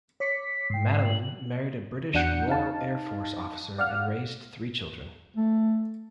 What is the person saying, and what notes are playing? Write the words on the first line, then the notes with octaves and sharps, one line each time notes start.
Madeleine married a British Royal Air Force officer and raised three children.
C#5 D6 B6 C#7
G#2 G5 C7
F#7
E2 D4 F#4 F#5 G6 C#7
D#4 F5 A5
D5 F5 F#5 F6
A3